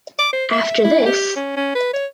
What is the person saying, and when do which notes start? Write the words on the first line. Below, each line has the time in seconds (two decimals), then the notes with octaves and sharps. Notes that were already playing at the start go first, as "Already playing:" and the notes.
After this.
0.19 D6
0.33 C5
0.51 E5
0.84 E4
1.06 G4
1.36 C#4
1.57 C#4
1.75 B4
1.93 C#5